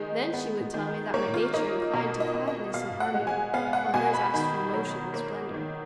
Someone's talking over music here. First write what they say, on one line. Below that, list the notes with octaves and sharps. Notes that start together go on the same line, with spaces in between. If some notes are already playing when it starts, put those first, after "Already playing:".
Then she would tell me that my nature inclined to quietness and harmony, while hers asked for motion and splendor.
Already playing: D#3 G#3 D#5
B3
D#3
A#3 C#5
F4
A#3 D#4
B2
D#5
B2
D#5
B2 F5
F#5
G#3
G#5
B3 F5
F#5
B2 G#5
B5
D#3 B5
F#3
A#3
D#3